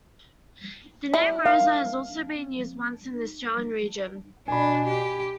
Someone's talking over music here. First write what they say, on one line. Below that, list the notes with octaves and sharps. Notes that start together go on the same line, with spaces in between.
The name Rosa has also been used once in the Australian region.
E4
F5
B2 D4 G#5 B5
G4